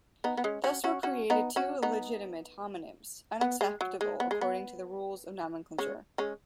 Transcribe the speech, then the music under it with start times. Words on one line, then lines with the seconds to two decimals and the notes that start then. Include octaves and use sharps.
Thus were created two illegitimate homonyms, unacceptable according to the rules of nomenclature.
0.24 B3 D#4
0.37 B3
0.44 G#3 C#4
0.64 C#4 F#4
0.84 C#4 F#4
1.03 C#4 F#4
1.30 B3 D#4
1.56 C#4 F#4
1.83 B3 D#4
3.41 B3
3.61 G#3
3.81 F#3
4.01 G#3
4.20 B3
4.31 G#3
4.41 B3
5.78 G#3 C#4
6.18 G#3 C#4